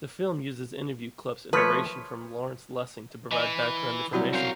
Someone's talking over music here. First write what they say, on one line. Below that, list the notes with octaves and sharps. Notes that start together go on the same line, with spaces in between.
The film uses interview clips and narration from Lawrence Lessig to provide background information.
F3 A3 B4 C#5
E3 D#5 G#5
C3 F#3 G3 C4 E4 G4
C4 C#4 F#4 A#4 C5 F5